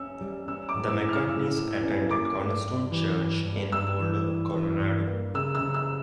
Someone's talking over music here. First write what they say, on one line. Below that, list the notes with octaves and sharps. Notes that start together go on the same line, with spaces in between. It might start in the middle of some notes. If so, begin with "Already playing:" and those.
The McCartneys attend Cornerstone Church in Boulder, Colorado.
Already playing: C#4 E6
G3
C#4 E6
D6
A2
E6
C#4
F6
A2 E6
A2
C#4
A#3 D6
G2
G2
E3
G2
G2
G2 E6
E3
G2
E3
G2
A#3
C#3 E6
E6
C#3
E6